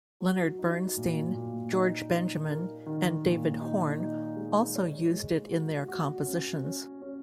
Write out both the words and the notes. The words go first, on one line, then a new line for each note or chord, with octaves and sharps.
Leonard Bernstein, George Benjamin and David Horne also used it in their compositions.
F#3
D#4
A#2
A#2
D#4
D#4
A#4
D#3
A#2
D#4
D#4
G#3
C#5
G#3
F#4
F#4
C#4
C#4
C#4